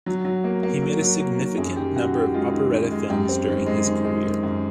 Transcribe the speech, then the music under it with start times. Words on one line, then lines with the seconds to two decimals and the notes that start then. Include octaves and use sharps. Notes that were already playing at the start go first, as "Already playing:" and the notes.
He made a significant number of Operetta films during his career.
0.06 F#3
0.25 F#3
0.44 A#3
0.63 A#3
0.82 F#3
1.01 F#3
1.20 A#3
1.38 D#3
1.58 F#2 G#4
1.76 D#3 G4
1.96 F#2 F#4
2.14 D#3 G4
2.34 G#3 F4
2.53 D#3
2.72 D#3
2.91 G#3
3.09 F#2 G4
3.29 C4
3.48 D#3
3.67 G#3
3.86 D#3
4.05 G#3
4.23 D#3
4.43 F#2